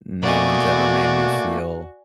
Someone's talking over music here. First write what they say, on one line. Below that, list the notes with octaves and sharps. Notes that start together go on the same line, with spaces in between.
no one's ever made me feel
B2 A3 A#3 F#4 D5 G#5